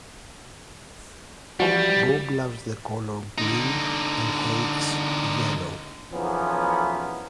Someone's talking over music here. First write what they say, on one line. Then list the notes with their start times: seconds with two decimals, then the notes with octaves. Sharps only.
Bob loves the color green and hates yellow.
1.60 E3 F3 G3 F#4
3.38 D3 D#4
6.14 B1 E2 F3 B3 C#4 A#4